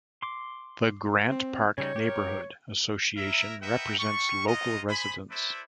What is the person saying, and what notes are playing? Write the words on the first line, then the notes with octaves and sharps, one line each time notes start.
The Grant Park Neighborhood Association represents local residents.
C6 D6
C4
C#3 G3 D#4 C#5
G4 A#4
E4 A#4 E5
A#4 B4 D#5 E5 F#5 G5
G3 C#6
D#4 F4 F#4 D#5
G#4 C5 G#5 B5
E4 A4 B4 C5 D5 E5